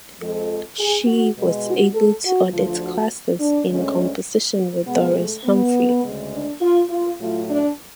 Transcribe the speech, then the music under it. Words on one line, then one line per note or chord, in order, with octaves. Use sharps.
She was able to audit classes in composition with Doris Humphrey.
F2 F3 G#3 A4
G#4
F#4
B2 G#3
F#4
A4
F#4
D2 D3 F3 F4
F#4
D4
D2 D3 G#3 C#4
B2 G#3 B3
A3
B3
D2 C#3 G#3
D4
F4
F4
A2 F#3 A3 F4
D4